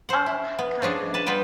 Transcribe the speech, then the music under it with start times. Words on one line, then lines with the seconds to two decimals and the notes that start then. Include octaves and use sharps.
Um, kind of,
0.09 C5 F#5
0.26 E4
0.59 B3
0.82 F3 C#4 D4 G#4
1.14 B4 A5
1.26 G3 B3 F4 B4 G5